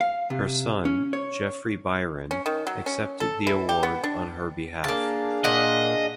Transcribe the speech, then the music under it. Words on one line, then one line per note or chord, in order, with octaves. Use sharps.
Her son, Jeffrey Byron, accepted the award on her behalf.
F5
C3
C#4
C#5
C#4
D#3
F#3
C#4
A4
E3
G4
B3
D4
A#3 D4 G#4 F5 A5
A#2 D#5 F#5